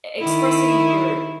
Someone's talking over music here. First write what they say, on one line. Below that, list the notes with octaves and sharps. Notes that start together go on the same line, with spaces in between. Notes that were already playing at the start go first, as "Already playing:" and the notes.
e expressing your
D#3 E4